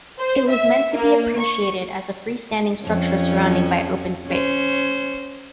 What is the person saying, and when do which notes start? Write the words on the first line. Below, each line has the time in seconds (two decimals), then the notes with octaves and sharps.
It was meant to be appreciated as a free-standing structure surrounded by open space.
0.19 C5
0.50 E5
0.93 A#3
1.39 C#6
2.84 F2 F3 C#4
4.27 C#4 C5